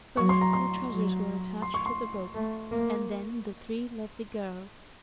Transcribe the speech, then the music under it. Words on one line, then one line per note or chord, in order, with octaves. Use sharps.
First the treasures were attached to the rope and then the three lovely girls.
F#3 C#6
C6
A#5
C6
F#3
C6
C#6
C6
A3
A#3